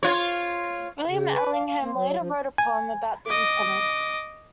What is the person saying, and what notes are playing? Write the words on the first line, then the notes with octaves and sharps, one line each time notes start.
William Allingham later wrote a poem about the incident.
F4 C#5
C#3
B4
F5
F5
A#3
F#3
F3
G#5
D#5 D6